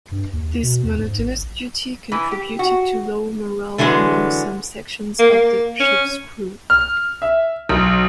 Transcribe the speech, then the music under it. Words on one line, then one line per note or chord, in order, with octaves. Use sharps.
This monotonous duty contributed to low morale among some sections of the ship's crew.
G2
D#2
B2
E2
G#2
A1
E3
G4
F#4
D3 E3 F#3 G#3 B3
A#3
A#3
C#4
F6
E5
B1